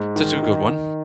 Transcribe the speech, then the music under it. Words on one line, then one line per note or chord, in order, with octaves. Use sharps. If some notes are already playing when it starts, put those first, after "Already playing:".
That's a good one.
Already playing: G#2
D#3
D#3
D#3